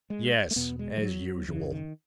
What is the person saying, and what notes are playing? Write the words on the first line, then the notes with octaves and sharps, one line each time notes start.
"Yes--as usual!"
G#3
A3
E2 B2 B3
G#3
E3
F#3
F#2 C#3 E3
D#3